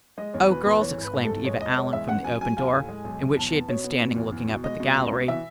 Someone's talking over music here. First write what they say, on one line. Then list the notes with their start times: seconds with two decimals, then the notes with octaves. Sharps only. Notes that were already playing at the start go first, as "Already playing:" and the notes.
"O girls!" exclaimed Eva Allen from the open door, in which she had been standing looking up at the gallery.
0.18 G#3 D#5
0.34 E2 C#5
0.49 B2 B4
0.66 E2 B4
0.81 E3 C#5
0.98 G#1 B4
1.14 G#2
1.24 G#1 A4
1.45 G#3 C#5
1.61 E1 D#5
1.77 G#3 C#5
1.93 E2 E5
2.09 C#3 F#5
2.24 F#3 G#5
2.41 F#3 G#5
2.57 D#2 G#5
2.73 A2
2.89 G#3
3.05 B1
3.21 B1
3.36 E2 A5
3.52 B3
3.68 B2 C#5
3.84 B3
4.01 B2
4.16 E2
4.32 E2
4.48 B2
4.64 G#3 D#5
4.80 B2
4.96 C#2
5.12 B2
5.28 E3 E5